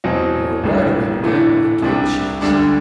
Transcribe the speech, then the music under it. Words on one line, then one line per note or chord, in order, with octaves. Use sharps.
We were wide awake now and gave chase.
E2 B2 F#3 C4
A1 A2 G3 D4
A2 E3 A3 D4
C2 C3 G3 D4
D2 D3 G3 D4